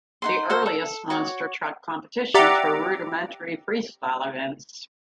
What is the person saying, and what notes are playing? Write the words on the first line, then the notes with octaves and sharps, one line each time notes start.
The earliest monster truck competitions were rudimentary freestyle events.
D#4 F#5 C6
F#4 A4 C5
A4
F#4 C#5 D6
G4 D5 E5 F#5 A#5 D6